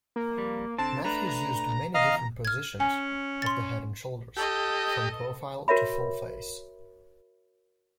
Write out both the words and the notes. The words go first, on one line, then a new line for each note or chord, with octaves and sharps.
Matthews used many different positions of the head and shoulders, from profile to full-face.
A#3
F2 G3
D3 C4 A5
A3 D4 B4 A#5
E2 D#5 F5 A#5 F6
F6 G#6
C#4 G#5
C6 A6
G4 A4 D#5
F#4 A#4 C#5 E5 B5